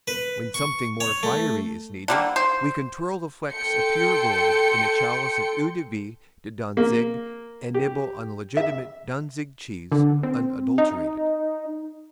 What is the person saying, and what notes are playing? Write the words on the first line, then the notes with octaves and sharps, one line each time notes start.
When something more fiery is needed we can twirl the flecks of pure gold in a chalice of Eau de Vie de Danzig and nibble on legitimate Danzig cheese unadulterated.
B4
C#6
C#5
A3
D3 G3 A#3
C5
A4 G5 C6 G6 C#7
A#3
G4
E5
D3
C4
D#4